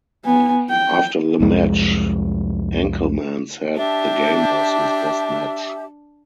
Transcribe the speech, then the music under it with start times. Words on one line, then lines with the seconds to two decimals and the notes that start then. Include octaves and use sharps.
After the match, Enckelman said the game was his best match.
0.25 B3 G#5
0.70 G5
1.40 C2 F2 G#3
3.76 D4 G4 E5 A5